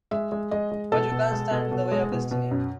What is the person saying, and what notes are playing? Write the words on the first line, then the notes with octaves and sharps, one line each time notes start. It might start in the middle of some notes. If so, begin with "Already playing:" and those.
But you can't stand in the way of destiny.
G#3 E5
G#3
G#3 D#5
G#3
B2 A4
B2
G#3
B2
B2
G#3
B2
B2
F#2